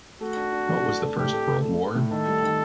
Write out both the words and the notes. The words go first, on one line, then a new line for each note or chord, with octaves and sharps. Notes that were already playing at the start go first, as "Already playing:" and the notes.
What was the First World War?
A3 F#4
D4
D4
D4
A3
A3
A2 G4
A3
A3
A3
A3
A2
D#3 A4
G3
D#3